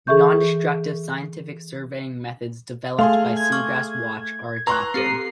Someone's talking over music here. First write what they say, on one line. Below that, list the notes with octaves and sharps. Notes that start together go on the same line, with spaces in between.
Non-destructive scientific surveying methods developed by Seagrass-Watch are adopted.
E3 G#4 A4 E5 C#6 G6
A3 G#4 F5 C6 F7
G#6
C#6 D6 F6
B4 A#5 C6 C#6 F#6
C4 G4 A4 C7